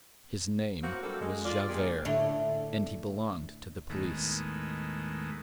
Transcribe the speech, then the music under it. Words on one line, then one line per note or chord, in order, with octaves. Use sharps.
His name was Javert, and he belonged to the police.
A2 A#3 C4 F#4
F#3 G3 A#3 D4 F#4 A4
G#3
F4 D5
A#2 G#3 D4 F4 G4 G#4
A2 D3 A3
D#2 A2 D#3 G#3 A3 B3